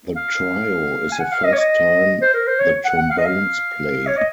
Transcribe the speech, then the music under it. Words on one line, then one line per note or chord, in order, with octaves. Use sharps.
The trio is the first time the trombones play.
F5
G#5
F#5
F5
D#5
C#5
D#5
C5
A#4
C5
C#5
F#5
F#5
F5
D#5
F5
C#5
D#5